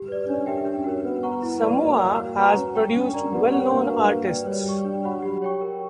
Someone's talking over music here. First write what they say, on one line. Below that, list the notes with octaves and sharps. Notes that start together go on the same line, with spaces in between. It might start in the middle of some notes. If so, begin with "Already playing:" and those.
Samoa has produced well-known artists.
Already playing: G4
B4 D5
C#4 D4
G4 A#4 E5 G5
D4
F#4 A#4 C#5
B3 B4
F#5 A#5 C#6
E4
B4 D5 F#5 B5
A#3 F#4
A#4 C#5 G5
F#4
B4 F#5 A#5 C#6
C#4 C#5
G5 C#6
C#4 D4
A#4 D5 A#5
B3 G4
A#4 C#5 F#5 C#6
A#3 D4
F#4 B4
F#4
B4 D5 G5
G3 C#5
G5 C#6
D4
F#4 C#5 F#5 B5
F#3 G4
C#5 G5 C#6
A#4